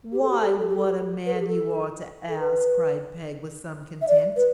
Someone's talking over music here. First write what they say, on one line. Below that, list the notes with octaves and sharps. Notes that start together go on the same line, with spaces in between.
'Why, what a man you are to ask!' cried Peg, with some contempt.
G4
A4
G4
A4
G4
A4
G4
A4
G4
B4
A4
G4
A4
A4
B4
E5
D5
B4